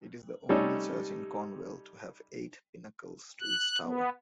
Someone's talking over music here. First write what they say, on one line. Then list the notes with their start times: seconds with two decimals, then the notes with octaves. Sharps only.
It is the only church in Cornwall to have eight pinnacles to its tower.
0.49 C3 G3 A3 C#4 D#4 A4
3.41 F#6
3.82 B3